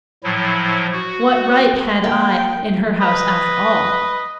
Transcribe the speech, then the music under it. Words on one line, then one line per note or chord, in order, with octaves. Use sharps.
What right had I in her house, after all?
A2 F3 F#3 E4
F#4
A#3 G5
B4 D#5